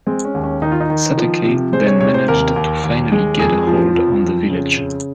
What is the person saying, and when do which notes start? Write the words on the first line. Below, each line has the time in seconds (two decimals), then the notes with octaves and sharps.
Satake then managed to finally get a hold on the village.
0.07 G#3 C4
0.25 C#4
0.34 D#2
0.44 C#4
0.62 D#3 D#4
0.72 F4
0.80 D#4
0.90 D#3
1.17 F3
1.45 C3
1.73 G#3 C5
1.87 C#5
2.00 C3 C#5
2.14 C5
2.28 D#2 A#4
2.56 D#2
2.84 D#2
3.12 G#3
3.39 F2 G#4
3.67 F3
3.95 F2
4.22 F2
4.50 C#3
4.77 C#3